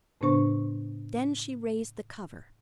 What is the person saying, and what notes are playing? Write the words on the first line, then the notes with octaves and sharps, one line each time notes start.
Then she raised the cover.
A2 C#3 B3 D4 C5 C#6